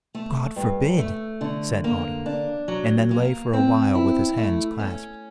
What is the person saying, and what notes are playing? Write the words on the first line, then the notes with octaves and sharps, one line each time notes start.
"God forbid!" said Otto, and then lay for a while with his hands clasped.
A3
G2
A3
D3
A#3
D4
F#3
A#3
C4
E4
A3
C#4